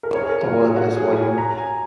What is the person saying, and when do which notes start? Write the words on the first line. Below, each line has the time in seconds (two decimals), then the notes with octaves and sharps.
A worthless volume!
0.03 A#4
0.14 C#5
0.22 G#4
0.29 A#4
0.46 F#4
0.60 G#4
0.76 F#4
0.96 G#4
1.16 G#5
1.38 A#5
1.58 G#5